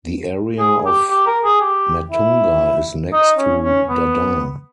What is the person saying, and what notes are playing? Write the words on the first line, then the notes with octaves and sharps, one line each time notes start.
The area of Matunga is next to Dadar.
G#4
G4
G4
A#4
G#4
G4
E4
D#4
C#4
C#4
B3